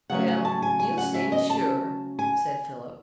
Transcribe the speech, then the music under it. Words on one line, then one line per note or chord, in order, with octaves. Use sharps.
"Well, you'll see me sure," said Philip.
C#3 F#3 A3 C#4 F#5
F#5
A5
G#5
G#5
F#5
E5
D#5
A5
G#5